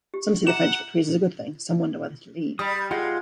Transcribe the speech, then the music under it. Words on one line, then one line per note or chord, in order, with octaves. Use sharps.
Some see the French victories as a good thing, some wonder whether to leave.
G4
E5 F#5 A#5 D6 E7
G3 B5 D#6
G#3 F4 F#5 G5